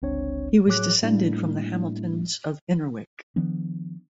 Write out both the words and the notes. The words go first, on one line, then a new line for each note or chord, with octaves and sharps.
He was descended from the Hamiltons of Innerwick.
G1 C#2 C4 D4 C#5
A2 F#3 G#4 C#5 D6 F#6
A2 G3 A3 A#3 D4 E4
D#3 F3 B3 D4